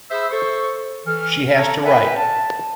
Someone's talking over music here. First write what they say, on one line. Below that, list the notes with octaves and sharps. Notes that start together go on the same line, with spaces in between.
She has to write.
G#4 C5 E5 B5 E6
A4 C5 C#6
E3 A4 F6
C4 A4 C#5 A5 A#5
A#4 B4 E5 G5 G#5 B5
A5